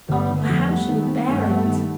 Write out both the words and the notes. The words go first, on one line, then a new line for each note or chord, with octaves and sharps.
Oh! how should he bear it?
G1 G3 A3
D3
A3 B3
F2
G3 A3 B3
D#3
C4
G2 A3 B3
G3
D#3